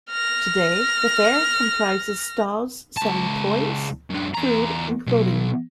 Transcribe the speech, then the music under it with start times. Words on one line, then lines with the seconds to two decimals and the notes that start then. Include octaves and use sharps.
Today the fair comprises stalls selling toys, food and clothing.
0.11 F6 A#6
2.96 C#2 A5
4.10 F#2 D4
4.35 E2 A#5
5.07 B2 F#3